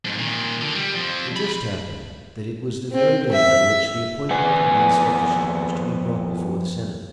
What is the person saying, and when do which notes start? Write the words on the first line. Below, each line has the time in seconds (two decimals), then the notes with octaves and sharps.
It just happened that it was the very day on which the appointment of the inspectorship was to be brought before the senate.
0.05 F2 G#2
0.19 A#2 D#3
0.61 D3
0.75 G3
0.95 F2 F3
1.36 D3 B5
2.92 C4
3.32 E5
4.31 F2 B3 B4 F#5 G#5